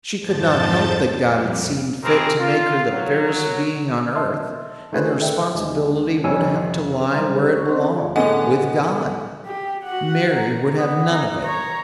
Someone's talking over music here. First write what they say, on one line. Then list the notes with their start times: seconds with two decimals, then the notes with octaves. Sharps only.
She could not help that God had seen fit to make her the fairest being on earth, and the responsibility would have to lie where it belonged--with God; Mary would have none of it.
0.20 F2 G#2 F3 A5 G6 A6
1.28 F2 G3
2.02 E3 F3 G#3 C4 G4 A#4
2.40 F4
2.91 F#3
4.15 D#5 E5 A5 C6
4.92 D#3 A3 F4 G#4 B4 C5
5.20 A4 D5 E5 G5
5.54 D#2 G#3
6.24 C2 F2 C#5 G#5 E6 D#7
7.12 F#3 G3 E4 C5 A#5 C6
7.34 G4 C5
7.56 C#6
7.68 C4 C#4 C5 D#5 C6
7.83 A4 A5
7.95 F4 G#4 C#5 D5 F5 A5
8.16 A2 D3 B3 G#4 A4 D#5 G#5
9.46 G4
9.84 F#4 F#5
10.31 A#5
10.77 B3
11.11 D#4
11.41 C#5 A#5